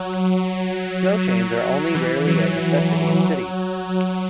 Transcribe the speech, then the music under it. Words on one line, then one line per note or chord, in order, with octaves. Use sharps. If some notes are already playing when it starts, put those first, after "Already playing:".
Snow chains are only rarely a necessity in cities.
Already playing: F#3
E3
F#3
F#3